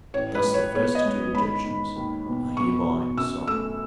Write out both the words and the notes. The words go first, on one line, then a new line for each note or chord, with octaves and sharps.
Thus the first two objections are hereby solved.
A1 C#5
B4
G#3
C#5
B3 C#5
D#5
G#3
G#2 B5
G#2
D#2
E1
B3 C#6
F#4
F#2 E6
A3 E6